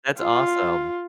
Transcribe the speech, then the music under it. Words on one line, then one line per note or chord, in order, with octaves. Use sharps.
That's awesome.
F4